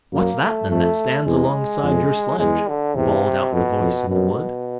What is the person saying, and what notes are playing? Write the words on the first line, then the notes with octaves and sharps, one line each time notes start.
'What's that then, that stands alongside your sledge?' bawled out the voice in the wood.
F#2 A#3
A3
F2 A3
E2 G#3
F2
E2 G#3
D3
E2 C3
F2 B2
F2
F#2 B2